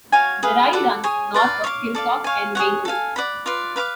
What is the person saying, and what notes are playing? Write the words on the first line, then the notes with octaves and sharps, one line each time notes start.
The Rye runs north of Kilcock and Maynooth.
F#4 C#5 F5 G#5
G#4 B4 F5
A4 D5 F#5
G#4 C#5 G#5
B4 D5 F5
C#5 F5 B5 D6
A4 D5 F5
C#5 F5 G#5
G#4 C#5 F#5
A4 F5 G#5
D5 F#5 B5
F4 B4 D5
B4 F5 B5 D6